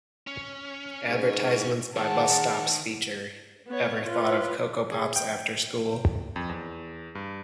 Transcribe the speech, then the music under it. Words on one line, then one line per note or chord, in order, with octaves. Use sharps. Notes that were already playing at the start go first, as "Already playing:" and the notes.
Advertisements by bus stops feature, Ever thought of Coco Pops after school?
C#4
G#2
D#3 G#4 F#5 A5
B3 C#5
F4 B4
G#4
G5
F2
E2
G2